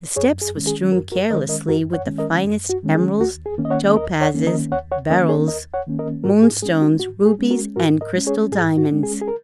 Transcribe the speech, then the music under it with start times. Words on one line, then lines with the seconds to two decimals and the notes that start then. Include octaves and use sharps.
The steps were strewn carelessly with the finest emeralds, topazes, beryls, moonstones, rubies, and crystal diamonds.
0.16 F#2 G#4 C#5
0.41 G#4
0.55 D#3 G#3 C#4
0.67 G#4
0.92 F#2 F#4 A#4
1.12 F#4 A#4
1.30 D#3 G#3 C#4 A#4 D#5
1.49 A#4 D#5
1.68 F#2 F#4 A#4
1.93 C#5 F#5
2.06 D#3 G#3 C#4
2.18 A#4 D#5
2.45 F#2
2.69 F#4
2.83 D#3 G#3 C#4
2.95 G#4
3.20 D#2 F#4
3.46 G#4
3.58 D#3 A#3 C#4
3.65 D#5
3.70 C#5 F#5
3.96 D#2 A#4 D#5
4.21 C#5 F#5
4.34 D#3 A#3 C#4
4.47 A#4 D#5
4.72 D#2 C#5 F#5
4.92 C#5 F#5
5.10 D#3 A#3 C#4 A#4 D#5
5.29 G#4 C#5
5.48 D#2 A#4 D#5
5.74 C#5 F#5
5.86 D#3 A#3 C#4
5.99 A#4 D#5
6.24 G#2 F#4 A#4
6.43 G#4
6.63 G#3 C#4 G#4
6.82 F#4
7.00 G#2 F#4
7.26 G#4
7.39 G#3 C#4
7.51 F#4 A#4
7.76 G#2 F#4 A#4
8.01 A#4 D#5
8.14 G#3 C#4
8.27 G#4 C#5
8.52 G#2 G#4
8.78 F#4
8.90 G#3 C#4
9.03 G#4
9.21 G#4
9.28 A#4